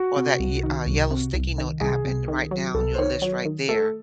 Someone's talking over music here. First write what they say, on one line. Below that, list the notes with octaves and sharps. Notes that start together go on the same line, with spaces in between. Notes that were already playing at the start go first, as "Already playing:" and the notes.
or that y uh, yellow sticky note app and write down your list right there.
Already playing: F#4
C3
C2
D#3
C2
C3
C2
D#3
C2 G#4
C2
D#3
F#3
C2 A4
C5
D#3 C#5
F#3 C#5
D#3
A3 A4